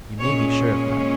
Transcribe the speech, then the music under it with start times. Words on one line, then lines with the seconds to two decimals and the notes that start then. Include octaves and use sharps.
You may be sure of that.
0.19 A#2 G#3 C#4 C#5